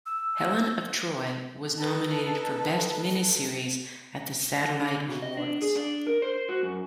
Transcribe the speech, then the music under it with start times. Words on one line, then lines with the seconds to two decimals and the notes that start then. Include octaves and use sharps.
"Helen of Troy" was nominated for best miniseries at the Satellite Awards.
0.06 E6
1.77 D#4 A4 B4
4.80 D3
5.08 B2
5.22 D#5
5.37 D4
5.62 G#4
5.75 D4
6.07 A#4
6.22 C5
6.49 F#4
6.63 F#2